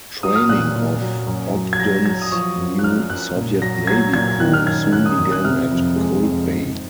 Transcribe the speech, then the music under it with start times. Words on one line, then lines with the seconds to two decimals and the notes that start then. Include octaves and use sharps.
Training of "Ogden"s new Soviet Navy crew soon began at Cold Bay.
0.23 F#3 D#6
0.35 F6
0.49 A#2 F#6
0.76 A#2
1.01 F#3
1.27 F#2
1.53 F#3
1.73 G#6
1.80 F#3 A#6
2.06 F#3 G#6
2.22 D#6
2.32 F3 C#6
2.58 F#2
2.79 F#6
2.83 F#2 F6
3.10 F#2 F#6
3.35 A#2
3.62 F#3 A#6
3.87 F#3 G#6
4.14 A#2 G#6
4.40 D#3 F#6
4.54 F6
4.66 F#2 G#6
4.92 F#2 F#6
5.06 D#6
5.19 F#2
5.32 F#6
5.44 C3 F6
5.71 F2
5.96 G#3
6.23 F2
6.48 G#2